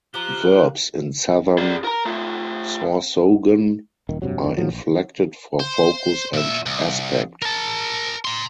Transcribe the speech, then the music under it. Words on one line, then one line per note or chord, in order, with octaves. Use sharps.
Verbs in Southern Sorsogon are inflected for focus and aspect.
F3 G4 A#5 F#6 G7
G#4 D5
A#4 A#5
A3 F4
D#1 D#3
F1 G2 C3 F#3
F#1 E2 D#3 D4
A2 F3 F#3
A#1
C5
A#2 E5
C2
A#4 A5
A#5 C6